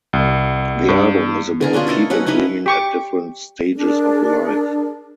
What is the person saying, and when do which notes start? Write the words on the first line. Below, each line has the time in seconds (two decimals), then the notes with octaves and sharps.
The album is about people dreaming at different stages of life.
0.13 C2
0.88 G2
1.61 D3 G#4 A#4
1.73 B2 C#4 D4 F4
1.87 E4 A4 A#4 D#5
2.10 F#3 C#4 B4 F#5
2.26 C#4 D#4 E4 B4
2.66 G4 C#6 D6
3.74 D4 G#4 A#4